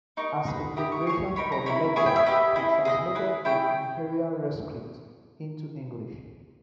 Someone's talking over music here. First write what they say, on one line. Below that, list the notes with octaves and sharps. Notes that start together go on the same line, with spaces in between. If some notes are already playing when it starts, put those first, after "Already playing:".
As a preparation for the lectures he translated the Imperial Rescript into English.
D#4 A#4 D#5 C#6
G#4 B4 D#5
E4 G4 A#4 D#6
C#6
G#4 C#5 C#6
D#4 A#4 C#5 B5
A#5
E4 A#4 C#5 B5
E4 G#4 C#5 G#5
G5
E5
G4 B4 D#5 E5
E4 G#4 D#5
G#4 B4 D#5
E4 G#4 B4
E4 G#4 C#5 G5